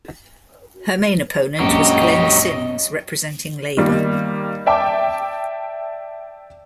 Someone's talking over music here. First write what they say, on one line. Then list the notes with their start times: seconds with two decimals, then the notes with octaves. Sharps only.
Her main opponent was Glenn Sims, representing Labor.
1.60 A#1 F#2 F#3 G4 D#5
3.77 D#3 G3 A#3
4.66 D5 E5 G5 A5 D6